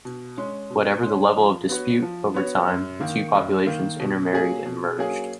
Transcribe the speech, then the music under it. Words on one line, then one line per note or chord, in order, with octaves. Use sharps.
Whatever the level of dispute, over time, the two populations intermarried and merged.
B2
G#3 C#4
B2
G#3 C#4
F3
B3 F#4 C#5
F3
B3 F#4 C#5
F#2
D#3 A#3
F#2
D#3 A#3
B2
F#3 A#3 C#4 G#4
B2
F#3 A#3 C#4 G#4